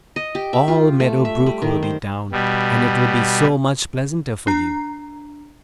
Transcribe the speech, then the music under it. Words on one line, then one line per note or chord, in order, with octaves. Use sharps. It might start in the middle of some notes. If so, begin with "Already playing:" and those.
All Meadow Brook will be down, and it will be so much pleasanter for you.
D#5
G4
E5
F4
A3
E5
G3
D#3
C5
B2 G3
D4 A#5